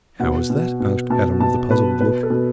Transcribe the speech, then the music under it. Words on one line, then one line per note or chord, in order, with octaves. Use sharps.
"How is that?" asked Adam with a puzzled look.
B2 F#5
B2
B2
B2 A5
B2 A5
B2 B4
B2 B4
A4
B2